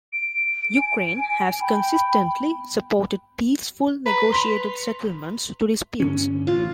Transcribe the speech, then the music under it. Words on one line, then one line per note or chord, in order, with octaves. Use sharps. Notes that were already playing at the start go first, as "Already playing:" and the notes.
Ukraine has consistently supported peaceful, negotiated settlements to disputes.
D7
G#5
G5 B5
B4 A#5
C6 B6 F7
G2 D3 C#4
A1 F4